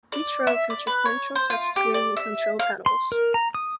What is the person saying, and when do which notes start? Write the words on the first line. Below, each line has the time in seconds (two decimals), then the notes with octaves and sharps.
Each row features central touchscreen control panels.
0.12 D5
0.47 E5
0.70 D5
0.87 B4
1.06 C#5
1.35 C5
1.50 F4
1.76 G4
1.94 D5
2.17 E5
2.59 F5
2.86 C6
3.12 A#4
3.34 A#5
3.55 D#6